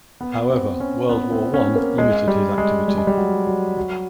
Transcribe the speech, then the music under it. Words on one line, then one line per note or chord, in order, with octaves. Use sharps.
However, World War One limited his activity.
B3
C4
C#4
B3
C4
C#4
A#3
G#3
G3
G#3
G3
G#3
G3
F#3
F#3
F#3